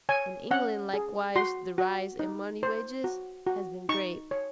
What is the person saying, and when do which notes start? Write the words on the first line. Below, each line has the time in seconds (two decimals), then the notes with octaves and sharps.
In England likewise the rise in money wages has been great.
0.09 C#5 G#5
0.51 C#4 F#5
0.94 G#4
1.36 F#4 C6
1.78 F#4
2.19 D#4
2.63 C5
3.04 F#4
3.46 F#4
3.89 D#4 C#6
4.31 C#5